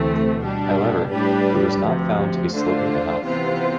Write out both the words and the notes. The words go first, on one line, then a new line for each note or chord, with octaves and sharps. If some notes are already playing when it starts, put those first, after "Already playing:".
However, it was not found to be sloping enough.
Already playing: D2 C3 E3 A3 C4
B2 G3 D4
A2 G3 D4 G4 B4
D2 C3 F3
D3 A3 D4 F4 C5
C3 E3 B3 F4 C5